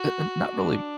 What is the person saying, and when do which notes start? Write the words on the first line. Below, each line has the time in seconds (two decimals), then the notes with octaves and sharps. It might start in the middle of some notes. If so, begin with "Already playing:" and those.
eh eh not really
Already playing: F#4
0.55 D4